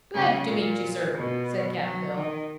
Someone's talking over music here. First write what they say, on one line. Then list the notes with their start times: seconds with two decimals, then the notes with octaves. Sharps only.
"Glad to meet you, sir," said Cap'n Bill.
0.14 C#3
0.48 A#2
1.15 B2
1.82 F#3
2.15 D#3